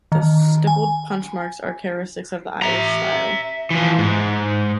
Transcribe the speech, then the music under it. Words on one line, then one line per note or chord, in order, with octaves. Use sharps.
The stippled punch marks are characteristic of the Irish style.
D#3
G#5
E5 A#5
E3 F3
G#2